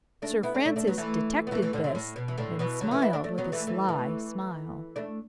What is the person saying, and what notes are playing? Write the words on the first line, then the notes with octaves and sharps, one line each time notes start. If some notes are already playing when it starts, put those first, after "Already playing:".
Sir Francis detected this, and smiled with a sly smile.
A3 D4
B3 E4
A3 D4
A3 D4
A3 D4
F#3 B3
E3 A3
B3
E3 A3
E3 A3
A2 D3
D3 F#3
A2
B2
E3
A2 D3
B2 E3
D3 F#3
E3 A3
B3 E4
A3 D4
A3 D4
F#3 B3
E3 A3
E3 A3
E3 A3
A3 D4